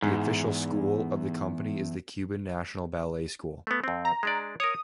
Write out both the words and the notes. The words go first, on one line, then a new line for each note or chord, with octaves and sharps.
The official school of the company is the Cuban National Ballet School.
E2 G#2
A3 B3
F2 C4
A#5
G#3 D4 D5
A#4 C#5 D#6